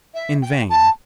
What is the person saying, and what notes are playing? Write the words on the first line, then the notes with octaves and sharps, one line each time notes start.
In vain.
E5
G5
A5